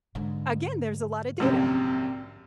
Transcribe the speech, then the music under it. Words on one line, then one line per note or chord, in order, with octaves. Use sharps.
again, there's a lotta data.
G#2 D3
A#1 F#2 C3